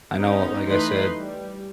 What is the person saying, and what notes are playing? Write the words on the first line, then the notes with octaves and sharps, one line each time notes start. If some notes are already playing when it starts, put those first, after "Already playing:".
I know like I said,
B3 C#4 D#4
E3 A3 D#4 B4 C6
G3